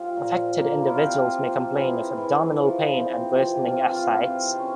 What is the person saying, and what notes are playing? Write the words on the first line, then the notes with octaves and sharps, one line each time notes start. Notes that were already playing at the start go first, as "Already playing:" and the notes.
Affected individuals may complain of abdominal pain and worsening ascites.
Already playing: F3 F4 G4
A#2
A#3
E4
F4
C4 G4
F3
E3 G#4
E3
F3
C4
C3 F4
G4
F4
E3
F4
C3 G4
C#4